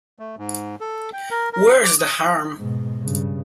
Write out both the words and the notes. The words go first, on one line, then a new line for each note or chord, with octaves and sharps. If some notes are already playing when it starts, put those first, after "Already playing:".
Where's the harm?
A3
G#2
A4
G5
A#4
A#4
D6
D#6
G#2 B2
G2 C#3